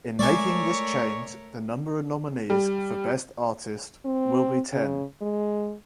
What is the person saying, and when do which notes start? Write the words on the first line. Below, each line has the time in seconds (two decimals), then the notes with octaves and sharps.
In making this change the number of nominees for Best Artist will be ten.
0.19 G#3 A3 A#4 C#5 D5 E5 G#5 C#6
2.50 G3
4.05 C4
4.73 C#3
5.21 G#3